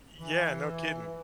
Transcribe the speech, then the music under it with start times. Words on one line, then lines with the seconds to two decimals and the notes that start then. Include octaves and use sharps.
Yeah, no kidding.
0.19 E3